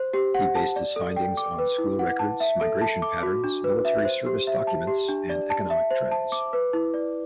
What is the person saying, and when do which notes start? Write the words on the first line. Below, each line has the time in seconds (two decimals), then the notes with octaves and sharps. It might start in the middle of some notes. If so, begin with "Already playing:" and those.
He based his findings on school records, migration patterns, military-service documents and economic trends.
Already playing: C5
0.13 G4
0.34 F#5
0.55 A5
0.76 D5
0.96 A4
1.16 G5
1.37 D6
1.58 B4
1.78 E4
1.99 F#5
2.19 A5
2.40 E5
2.61 A4
2.81 A5
3.02 D6
3.23 F#4
3.44 D4
3.64 B4
3.85 E5
4.05 C5
4.26 G4
4.47 E5
4.67 A5
4.87 G4
5.09 D4
5.29 D5
5.50 A5
5.70 E5
5.91 C5
6.11 A5
6.32 D6
6.53 B4
6.73 E4
6.94 D5